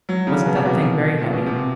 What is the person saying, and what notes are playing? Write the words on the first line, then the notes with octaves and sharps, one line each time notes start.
"Wasn't that thing very heavy?"
F#3
C#3
B2
C3
B2
A#2
B2
C3